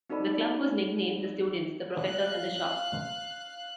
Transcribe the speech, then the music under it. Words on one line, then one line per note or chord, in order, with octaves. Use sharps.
The club was nicknamed The Students, The Professors and The Shop.
C4 D#4 F#4 A4 D5 B5
F5 F#6